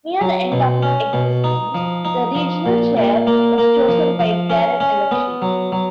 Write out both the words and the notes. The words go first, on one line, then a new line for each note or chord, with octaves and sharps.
Near the end of its existence, the regional chair was chosen by direct election.
F#3
B2
C#4
B2
D#4
F3
D#4
F3
A#2
A#2
A#3
A#3
F3
F3
C#4
C#4
B3
F#3
F#3